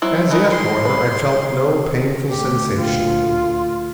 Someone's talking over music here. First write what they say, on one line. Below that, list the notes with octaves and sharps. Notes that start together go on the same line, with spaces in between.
As yet, however, I felt no painful sensation.
F#3 E4 C5
E3 D#4 A#4
C6
B4
D2 A#2 G4
F4